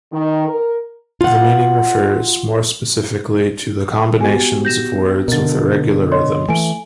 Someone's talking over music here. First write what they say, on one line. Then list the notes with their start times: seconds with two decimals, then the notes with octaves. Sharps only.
The meaning refers more specifically to combinations of words with irregular rhythms.
0.12 D#3
0.48 A#4
1.21 F4 F#5
4.21 B3 F#4 G4 G#5
4.65 G6 A#6 E7
5.28 B2 D3 A#4 A6
6.12 C#5 D#5 C6
6.49 E3 A3 G#5 D7